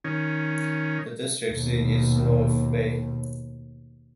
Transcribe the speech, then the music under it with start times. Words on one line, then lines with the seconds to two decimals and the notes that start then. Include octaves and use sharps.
The district seat is North Bay.
0.04 D#3 C#4
1.47 D#2 B2